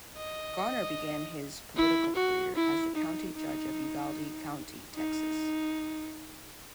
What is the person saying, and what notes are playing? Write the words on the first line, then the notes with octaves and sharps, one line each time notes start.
Garner began his political career as the county judge of Uvalde County, Texas.
D#5
E4
F#4
E4
D#4
D#4
D#4